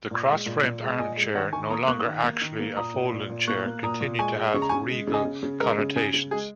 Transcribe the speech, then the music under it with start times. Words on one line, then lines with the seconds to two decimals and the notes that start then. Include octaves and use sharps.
The cross-framed armchair, no longer actually a folding chair, continued to have regal connotations.
0.11 A#2
0.29 G#3
0.46 A#2
0.64 A#2
0.82 G#3
0.99 A#2 D#5 G#5
1.17 G#3
1.35 D#3 C#5 F#5
1.53 D#3 G#5 C#6
1.63 C#6
1.70 A#3 A#5 D#6
1.88 A#3 C#6 F#6
2.06 D#3
2.23 A#3
2.41 D#3
2.59 A#3
2.77 A#2 A#5 D#6
2.94 A#2
3.13 A#2
3.30 A#2
3.47 A#3 C#6 F#6
3.66 A#3
3.83 A#2 A#5 D#6
4.01 A#2
4.19 G#3 G#5 C#6
4.36 G#3
4.54 C#3 C#6
4.62 A#5
4.69 C#3 G#5 C#6
4.90 G#3
5.07 C#3
5.14 D#5 G#5
5.25 C#3
5.43 C#3
5.60 G#3 A#4
5.78 C#3
5.96 C#3 G#4
6.14 C#3
6.31 G#3 G#4